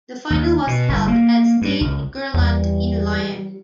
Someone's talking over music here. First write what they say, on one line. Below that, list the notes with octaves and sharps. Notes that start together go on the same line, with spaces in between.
The final was held at Stade Gerland in Lyon.
D#2
B2
G1
A#3
G2
C#2
E2 E3 G3